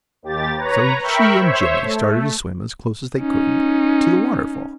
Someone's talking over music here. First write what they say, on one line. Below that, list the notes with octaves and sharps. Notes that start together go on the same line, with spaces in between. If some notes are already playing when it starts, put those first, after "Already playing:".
So she and Jimmie started to swim as close as they could to the waterfall.
D#2 G4 A6
B4 C#5 A#5
A#4 E5 G5 B5 C#6
C5 C#5 E5
A3
C#4 D#4